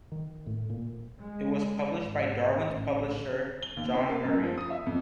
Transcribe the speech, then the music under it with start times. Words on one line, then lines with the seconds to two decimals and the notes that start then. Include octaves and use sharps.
It was published by Darwin's publisher John Murray.
0.12 D#3
0.46 A2
0.70 A#2
1.18 G#3
1.97 G#1
2.63 A1
3.62 G7
3.77 D#2
3.93 C4
4.09 A#3
4.25 F#2
4.43 F3
4.58 D#6
4.70 E5
4.86 F2